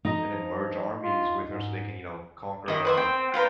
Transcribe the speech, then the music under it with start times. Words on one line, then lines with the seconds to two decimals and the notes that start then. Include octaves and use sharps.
and then merge armies with her so they can, you know, conquer, uh,
0.05 D#4 D#5 A#5
0.29 F3
1.02 F4
1.49 G#2
2.68 D#3 E4 D#5
2.85 B4 C5 E5
2.97 C4 G5
3.34 F4 A#4 B4 F5 G5